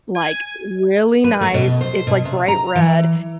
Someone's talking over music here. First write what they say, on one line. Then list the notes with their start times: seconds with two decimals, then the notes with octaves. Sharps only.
like, really nice, it's like bright red
0.15 G#5
1.24 B4
1.41 A3
1.54 B2
1.81 C5
2.07 B2
2.25 C3
2.48 A#5
2.75 E3